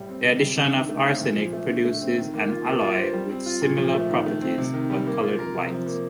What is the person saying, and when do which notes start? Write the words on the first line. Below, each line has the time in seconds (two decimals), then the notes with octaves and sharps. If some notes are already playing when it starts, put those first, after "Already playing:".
The addition of arsenic produces an alloy with similar properties but coloured white.
Already playing: A2 G3
0.09 C4
0.24 C3
0.40 G3
0.56 D4
0.73 D#3
0.89 A3
1.05 C4
1.21 A#2
1.36 F3
1.53 A3
1.69 D3
1.85 A3
2.01 C4
2.17 D#3
2.34 A#3
2.49 F4
2.65 A#3
2.81 F4
2.97 C5
3.13 G3
3.29 C4
3.46 F4
3.62 A#2
3.77 F3
3.94 A3
4.10 D#3
4.26 A3
4.41 C4
4.58 C3
4.74 D#3
4.90 G3
5.07 A#3
5.22 F4
5.39 A#4
5.55 C3
5.70 F3
5.86 A#3